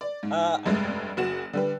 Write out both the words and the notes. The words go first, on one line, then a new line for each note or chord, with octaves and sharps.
Uh, I think
D5
G#2
F1 G2 G#3 A3
F#1 F#4 E7
D3 G3 B4